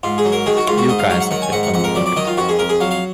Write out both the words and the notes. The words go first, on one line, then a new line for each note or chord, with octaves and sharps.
You guys have been unplugged!
G#2 F4
G#4
F#3
A#4
D#3 G#4
F#4
G#2 F4
F#4
G#2 D#5
F5
F#3 F5
F#5
D#3 F#5
G#5
G#2 F#5
F#5
F2 F#5
A#4
F#3 D5
D5
D#3 D#5
F4
F2 F#4
G#4
F2 A#4
G#4
F#3 F5
F5